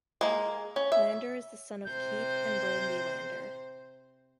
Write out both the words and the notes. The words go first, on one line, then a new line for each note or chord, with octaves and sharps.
Lander is the son of Keith and Brandie Lander.
G#3 A#3
C#4
E5
C3 C5 G6